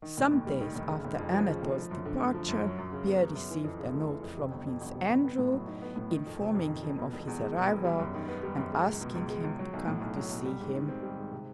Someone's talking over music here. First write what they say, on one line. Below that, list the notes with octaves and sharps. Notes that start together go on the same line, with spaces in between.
Some days after Anatole's departure Pierre received a note from Prince Andrew, informing him of his arrival and asking him to come to see him.
D#3
F1
D#2
G3
D#3
F1
C#3
F1
F2
F3
C#3
F1
F3
F#2
D3
A3
F3
F#2
F#3
F#2
C#3
B3
F#3
F#2
E3
F2
C#3
A3
E3
F2
C3
G1
F2
G1
C3
G1
B3
A2
F#3
D#4
B3
A2
D#3
F2
C3
F2
D#3
F2
B2
E1
E2
G#3
B2
E1
G3
F#2
D#3
B3
G3
F#2
G#3
C#2
B2
C#2
G#3
C#2
F#3
B1
A2
B1
F#3
B1
G3
G#2
D#3
C4
G3
G#2
C3